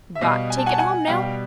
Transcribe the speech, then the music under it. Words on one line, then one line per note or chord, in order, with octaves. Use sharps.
Got take it home now.
E5
B2 G3 D#5 F5
G#5
A5
F#5 G#5
A5
F#5 G#5
B2 G3 F5 G5